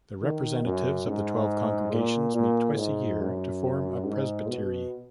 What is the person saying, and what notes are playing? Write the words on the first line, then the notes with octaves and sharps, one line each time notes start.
The representatives of the twelve congregations meet twice a year to form a presbytery.
D#3
F#2
G#2
A#2
A#2
G#2
F#2
G#2
B2